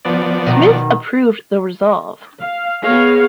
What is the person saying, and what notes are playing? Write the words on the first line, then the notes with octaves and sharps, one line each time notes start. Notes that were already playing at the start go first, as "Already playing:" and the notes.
Smith approved the resolve.
F3 B3 D5
B2 D#3
F5
G#3 B3 C#5 F5